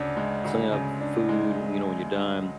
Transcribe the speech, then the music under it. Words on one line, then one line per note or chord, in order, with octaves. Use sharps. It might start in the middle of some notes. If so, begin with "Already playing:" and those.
clean up f food, you know, when you're done,
Already playing: D2 C#3 D4
G#3
D2
C#3
D4
G#3